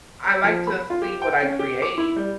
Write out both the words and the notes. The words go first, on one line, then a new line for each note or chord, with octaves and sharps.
I like to see what I create,
A#5
F3
B5
F4
G4
G5
C#4
G4
D6
E4
G3